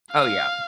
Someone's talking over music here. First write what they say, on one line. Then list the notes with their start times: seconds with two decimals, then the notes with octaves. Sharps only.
oh yeah.
0.11 F5